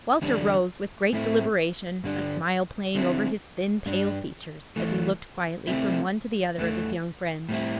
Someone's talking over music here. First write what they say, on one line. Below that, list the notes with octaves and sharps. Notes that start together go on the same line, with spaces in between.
Walter rose with great deliberation, a smile playing over his thin, pale features, as he looked quietly from one to the other of his young friends.
E2 D3 G3 D4
A2 A3 C4 E4
G2 D3 G3 D4
D3 C4 E4
G2 G3 D4
E2 E3 A3
C3 A3 C4 E4
E2 E3 A3
A2 G3 C4 E4